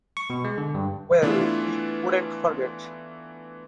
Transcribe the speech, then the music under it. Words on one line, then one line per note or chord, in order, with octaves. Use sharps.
Well, we couldn't forget.
C#6
B2
G#3
D3
G2
E3 A3 B3 D4 E4 F4